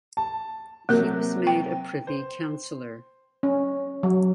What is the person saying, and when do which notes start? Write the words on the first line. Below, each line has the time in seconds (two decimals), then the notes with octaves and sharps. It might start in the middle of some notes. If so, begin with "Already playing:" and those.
He was made a Privy Councillor.
0.17 A5
0.89 C3 F#3 A#3 A#4
1.47 G5
2.07 C5
3.43 C#4
4.03 F#3